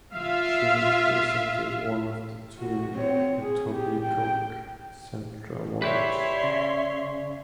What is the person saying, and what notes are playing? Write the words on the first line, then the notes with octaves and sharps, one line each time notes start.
She represented one of the two Etobicoke Centre wards.
F4 E5 F5
F#4
C4 C#5
G#4
G4
G5
E4 G4 B4 C#5 D5 E5 C6
C#3